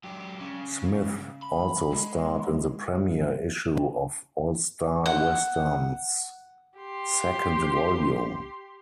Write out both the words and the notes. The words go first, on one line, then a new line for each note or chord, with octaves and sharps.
Smith also starred in the premiere issue of "All-Star Western's" second volume.
F#2 G4
C#3
B5
G#3
F#5
G4 C6